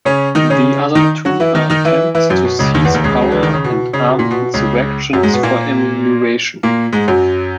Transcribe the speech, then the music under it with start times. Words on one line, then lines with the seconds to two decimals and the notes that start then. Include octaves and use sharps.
The other two are attempts to seize power and armed insurrections for amelioration.
0.05 C#3 C#4
0.35 D#3 D#4
0.50 C#3 C#4
0.95 D#3 D#4
1.25 F#3 F#4
1.40 E3 E4
1.55 D#3 D#4
1.70 D#3 D#4
1.85 E3 E4
2.15 E3 E4
2.29 F#2 F#3
2.45 B2
2.59 C#2 C#3
2.74 D#2 D#3
2.85 E2 E3
2.94 D#2 D#3
3.04 C#2 C#3
3.22 F#3
3.32 E3
3.43 D#3
3.54 C#3
3.64 B2
3.93 C#3
4.06 B2
4.19 A#2
4.31 B2
4.54 C#2 C#3
5.13 F#2 F#3
5.23 G#2 G#3
5.33 B2 B3
5.43 A#2 A#3
6.63 A#2 A#3
6.93 G#2 G#3
7.08 F#2 F#3